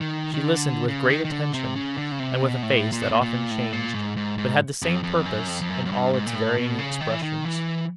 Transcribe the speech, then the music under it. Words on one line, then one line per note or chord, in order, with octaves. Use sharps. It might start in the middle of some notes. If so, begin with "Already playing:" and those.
She listened with great attention, and with a face that often changed, but had the same purpose in all its varying expressions.
D#3
D#3
D3
C#3
D#3
D#3
D3
C3
C#3
D3
C#3
C3
B2
A2
A#2
B2
A#2
A#2
A2
A#2
G#2
G#2
G#2
F2
F2
F#2
F2
F2
F#2
F#2
G2
G#2
A#2
A2
B2
C#3
D#3
E3
D#3
E3